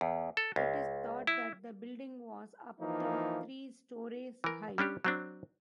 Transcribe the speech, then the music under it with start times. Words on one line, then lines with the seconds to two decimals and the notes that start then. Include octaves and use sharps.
It is thought that the building was up to three storeys high.
0.01 E2
0.37 A4
0.56 C#2
1.27 E4
2.80 E3 F3 A#3 D#4
4.44 E3 A#4
4.78 G3 C#4 D4 G4
5.05 F#3 C4 D4